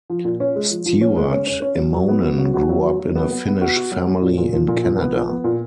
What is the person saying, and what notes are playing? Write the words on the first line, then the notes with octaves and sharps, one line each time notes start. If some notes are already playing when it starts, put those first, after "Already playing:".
Stuart Immonen grew up in a Finnish family in Canada.
F3
A#2
C#4
G#3
F3
F3
C#4
G#3
C#4
C#4
C#4
F#3
F#3
B3
F#4
F#3
F#4
F#3
F#3
F#3
B3
B3
B3
F#4
F#4
F#3
F#3
A#2
A#2
F3
A#2
F3
B3
F3
B3
A#2